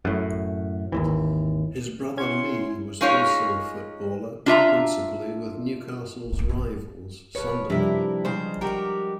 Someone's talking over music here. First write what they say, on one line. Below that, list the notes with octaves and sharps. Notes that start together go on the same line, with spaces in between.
His brother Lee was also a footballer, principally with Newcastle's rivals Sunderland.
F#2 A2
G#1 D#2 E3
C#4 E4 F#5 C6 G#6
G#3 C#4 D#4 F4 G#4 C#5
D4 F4 E5 A#5
F3 B4 C#5
C3 F3 G3 D4 E4 A#4
C#3 G#3 C5
F#4 G4 A#4